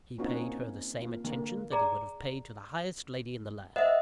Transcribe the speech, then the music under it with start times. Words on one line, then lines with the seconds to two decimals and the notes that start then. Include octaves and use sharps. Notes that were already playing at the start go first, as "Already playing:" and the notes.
He paid her the same attention that he would have paid to the highest lady in the land.
0.18 A#3 C4 C#4 D#4 F4 F#4
0.99 A#3 F4
1.24 D3 A#3
1.72 G#4 D5 A#5
3.76 C5 D#5 E5 F#5